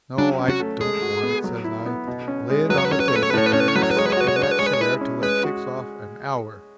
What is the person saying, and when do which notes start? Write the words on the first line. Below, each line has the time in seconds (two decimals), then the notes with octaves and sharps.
'No, I don't want it,' says I. 'Lay it on the table and you sit in that chair till it ticks off an hour.
0.18 F#3 D4
0.39 C#4
0.49 F#4
0.60 A3
0.81 G#3 G#4
1.02 F#4
1.23 B3
1.44 F#3
1.64 E4
1.86 B3
2.07 B2
2.28 C#4
2.50 G#3
2.70 F#3 B4
2.78 C#5
2.85 B4
2.92 C#4 C#5
3.00 B4
3.08 C#5
3.12 A3 B4
3.23 C#5
3.30 B4
3.34 A2 C#5
3.46 B4
3.53 C#4 C#5
3.60 B4
3.68 C#5
3.76 F#3 B4
3.83 C#5
3.91 B4
3.97 G#3 C#5
4.06 B4
4.13 C#5
4.17 F#4 B4
4.28 C#5
4.36 D4 B4
4.43 C#5
4.51 B4
4.59 G#3 C#5
4.66 B4
4.73 C#5
4.81 E4 B4
5.01 C#4
5.22 G#3 B4
5.43 F#4